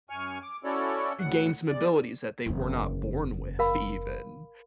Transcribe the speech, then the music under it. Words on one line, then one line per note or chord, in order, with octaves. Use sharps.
gain some abilities that they were not born with even.
F#2 G#5 C#6 F6
D6
C#4 E4 F#4 A4 C#5 D5
D2 A2 F#5
E2 D5
F#1 E2
A#4 F5 B5